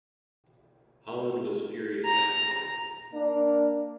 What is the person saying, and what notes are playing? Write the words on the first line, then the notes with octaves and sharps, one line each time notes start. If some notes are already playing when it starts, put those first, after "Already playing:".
Holland was furious afterward.
A#5
A#3 D4